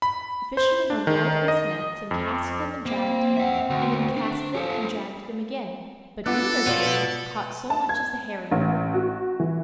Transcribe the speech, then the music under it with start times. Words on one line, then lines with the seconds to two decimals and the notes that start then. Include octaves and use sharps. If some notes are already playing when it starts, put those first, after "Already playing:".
The fisherman unrolled his nets and cast them and dragged them, and then cast them and dragged them again, but neither time caught so much as a herring.
0.02 B5
0.57 C5
0.90 D4
1.07 D#3
1.48 D#5
2.11 F2
2.86 A#3 C4
3.37 E5 F#5
3.70 D2
4.17 D4
4.55 F3 G4 A4
6.26 B3 D4 F4 A4 F#5 D6 F#6
6.67 B2 B3 F4 C#5 D5 F#5
7.70 A5
7.89 G#6
8.52 A1
8.94 F#4
9.40 E3